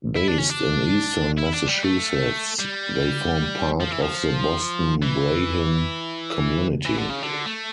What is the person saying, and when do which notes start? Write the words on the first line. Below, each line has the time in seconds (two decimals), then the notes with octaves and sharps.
Based in eastern Massachusetts, they formed part of the Boston Brahmin community.
0.16 E4
0.28 D4
0.38 C#4
0.49 D4
1.38 E4
1.54 D4
1.68 G3
1.83 A3
2.59 G3
3.80 F3
3.92 E3
4.02 F3
5.02 E3
6.85 E3
6.98 D3
7.09 C#3
7.22 D3
7.46 A3